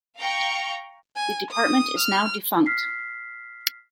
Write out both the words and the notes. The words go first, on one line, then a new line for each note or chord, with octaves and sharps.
The department is now defunct.
F5 G5 A#5 C#6
G#5
D#6
F6
F6 B6 C7